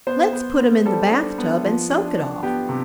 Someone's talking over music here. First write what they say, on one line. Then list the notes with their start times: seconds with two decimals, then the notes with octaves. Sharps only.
"Let's put him in the bath tub and soak it off."
0.07 B3 C5
0.33 B3
0.59 B3
0.86 G3 A4
1.11 D4
1.38 B3
1.65 F3
1.90 D4
2.17 D4
2.43 B3 G4
2.69 C3